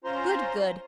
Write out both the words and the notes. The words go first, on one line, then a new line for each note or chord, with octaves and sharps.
Good, good.
C#4 F4 C5 A#5 C6